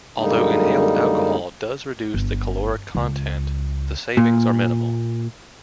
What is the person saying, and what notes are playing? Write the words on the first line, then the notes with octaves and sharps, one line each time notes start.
Although inhaled alcohol does reduce the caloric content, the savings are minimal.
F#2 D3 G3 G#3 A#3 D#4
G1
C#2
A#2